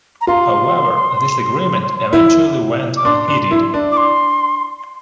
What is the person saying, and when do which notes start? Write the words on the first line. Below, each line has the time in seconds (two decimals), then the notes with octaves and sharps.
However, this agreement eventually went unheeded.
0.21 A#5
0.27 F4 C6
2.13 E4
2.97 D6
3.05 D4 C6
3.28 D4
3.51 E4
3.74 D4
3.92 D6
3.97 C6